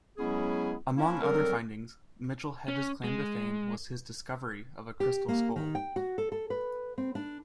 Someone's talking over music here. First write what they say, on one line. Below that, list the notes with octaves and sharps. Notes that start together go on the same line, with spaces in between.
Among other findings, Mitchell-Hedges' claim to fame was his "discovery" of a "crystal skull".
F#3 G#3 B3 C#4 E4 G#4
A#3 C#4 D4 E4
F#3 G3 C4 A4 A#4
C#4
G#3
G4
A#3
D#3
G5
F#4
A4
A4
B4
C4
D4